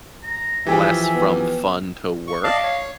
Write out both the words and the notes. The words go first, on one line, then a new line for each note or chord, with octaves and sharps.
less from fun to work,
A#5
E3 F3 G4 G#4 E5 G5
B3
C#6
D5 D#5 F5 A5
C#5